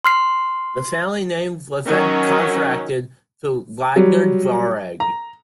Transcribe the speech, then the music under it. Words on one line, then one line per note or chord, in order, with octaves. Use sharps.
The family name was then contracted to "Wagner-Jauregg".
C6 F6 C7
D#3 F#3 C#4
F#3 G3
A#5